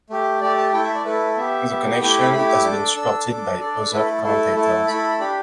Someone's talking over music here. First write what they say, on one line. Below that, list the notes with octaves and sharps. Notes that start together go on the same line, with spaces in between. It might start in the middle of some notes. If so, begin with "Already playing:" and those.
The connection has been supported by some other commentators.
A3 G4
A3 G4 D5
A5
A3 E4 A4 G5
E5
D5
A3 E4 A4 B4
B3 G4 E5
B3 G4
A3 E4 G4 G5
D6
B5
A3 E4 G4 B5
D6
D4 A4
D4 A4 E6
D4 A4 D6
D4 A4 D5
A4
A3 E4 A4 B4
A4
A3 E4 A4
A3 E4 A4
A3 E4 A4 B5
D4 G4 B5